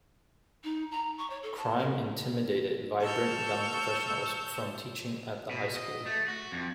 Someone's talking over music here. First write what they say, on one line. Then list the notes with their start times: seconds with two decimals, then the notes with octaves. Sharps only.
Crime intimidated vibrant young professionals from teaching at the high school.
0.64 D#4
0.91 A#5
1.18 C#6
1.30 C#5
1.43 A4
1.58 A5
1.78 A#4
3.02 A5 C#6 E6 F6 G6
5.51 B2
5.77 D#5
6.06 A3
6.28 F#4
6.52 F2